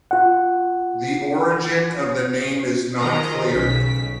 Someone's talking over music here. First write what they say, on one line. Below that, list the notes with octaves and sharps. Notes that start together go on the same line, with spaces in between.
The origin of the name is not clear.
F4 F#5
D#3 F3 F4 G#4 D#5 A#5
B1 C#3 B6